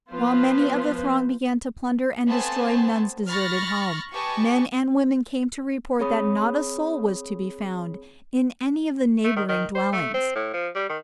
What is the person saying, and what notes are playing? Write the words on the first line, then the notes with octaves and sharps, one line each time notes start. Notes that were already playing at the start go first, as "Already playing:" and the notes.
While many of the throng began to plunder and destroy Nun's deserted home, men and women came to report that not a soul was to be found in any of the neighboring dwellings.
F3 B3 F4 B4 C5
A3 B3 C4 C5 G#5 A5
B5 C#6 F6 A6 A#6
G4 B4 D#5 G#5 A5 C#6
C4 G#4 C#5 B5 D#6
A3
D#3
D#3
C5
A3
C4
A2
F3
G3
D#3